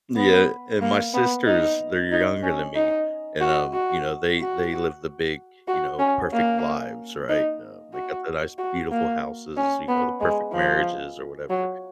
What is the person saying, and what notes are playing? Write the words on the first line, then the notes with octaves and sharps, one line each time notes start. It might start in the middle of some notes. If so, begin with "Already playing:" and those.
Yeah, and my sisters, they're younger than me, and, um, you know, they they live the big, you know, perfect lives, right? Um, they got the nice beautiful houses, you know, the perfect marriages or whatever,
B3
A#3
B3
D#4
D#4
C#4
D#4
F#4
F#4
F#4
F#4
C#4
A#3
D#4
F#4
F#4
A#3
C#4
B3
G#3
F3
F#3